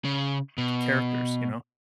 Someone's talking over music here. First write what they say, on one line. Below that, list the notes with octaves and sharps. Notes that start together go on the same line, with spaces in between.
c characters, you know,
C#3
B2